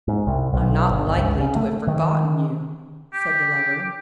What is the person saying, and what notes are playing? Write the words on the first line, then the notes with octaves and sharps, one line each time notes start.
"I'm not likely to have forgotten you," said the Lover.
G#2
C2
B1
G1
C#2
C#3
A3
D#3
G4